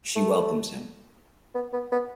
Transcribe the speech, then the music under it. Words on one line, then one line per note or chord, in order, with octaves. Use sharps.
She welcomes him.
A3
B3
B3
B3